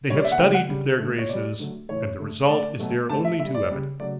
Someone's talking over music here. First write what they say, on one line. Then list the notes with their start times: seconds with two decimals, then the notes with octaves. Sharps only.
They have studied their graces, and the result is there only too evident.
0.09 D3 G3 C#5
0.17 D5
0.24 E5
0.32 F#5
0.38 C#3 E3 A3 G5
0.54 F#5
0.68 C#3 G3
0.99 D3 A3
1.18 C#5
1.29 B2 G3 D5
1.59 D3 F#3 A3
1.89 A2 E3 A3 C#5
2.19 D3 A3
2.49 D3 A3 D5
2.79 B2 F#3 A3
3.09 D3 A3 A5
3.24 E5
3.39 D3 G3 E5
3.54 D5
3.70 C#3 G3
4.00 C#3 F#3 A3 D5